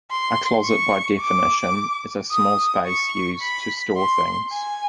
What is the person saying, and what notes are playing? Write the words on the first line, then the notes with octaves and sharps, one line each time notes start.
A closet by definition is a small space used to store things.
C6
C#6
D6
D#6
C#6
B5
C6
G#5